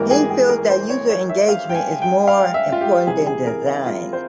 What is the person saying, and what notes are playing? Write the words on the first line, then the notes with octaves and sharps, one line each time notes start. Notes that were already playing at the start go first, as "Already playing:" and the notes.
He feels that user engagement is more important than design.
Already playing: G#1 G#2 E3 G3 A#3 A#4
G#4
G#4
A#4
C5
C#5
C#5
E5
F5
G5
G#5
G5
F5
E5
F4
G4
C2 C3 E3 G#4
G#4
A#4
E4
F4
C5